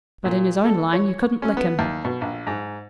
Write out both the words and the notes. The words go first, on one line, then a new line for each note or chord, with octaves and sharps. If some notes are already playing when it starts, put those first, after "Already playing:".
But in his own line you couldn't lick him.
A#2
A4
C#5
C#4
B3
D#2
B2
A#1
G#2